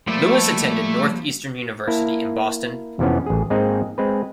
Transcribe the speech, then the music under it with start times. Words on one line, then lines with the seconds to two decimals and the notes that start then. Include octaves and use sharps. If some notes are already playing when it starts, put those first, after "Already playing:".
Lewis attended Northeastern University in Boston.
0.07 F3 G3 A3 A#3
1.87 A#3 E4 A5
2.99 F2 C3 E3 F3 B3 C#4
3.26 A1 G#4
3.50 G#2 G#3 A#3 C4 D#4 D#5
3.98 G#3 C4 B4